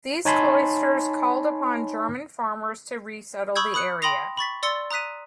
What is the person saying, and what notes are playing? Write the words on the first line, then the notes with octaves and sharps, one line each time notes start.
These cloisters called upon German farmers to resettle the area.
D#4 C#5 G#5 A5 B5 C6
B5 C#6 D#6 E6 G6 G#6
B5 D#6 F#6 C#7
G5 B5 C6 D#6 A#6 F7
B5 C#6 A6 B6
D5 C6 E6 A6 C#7 G7
A#5 D#6 F#6 B6 D#7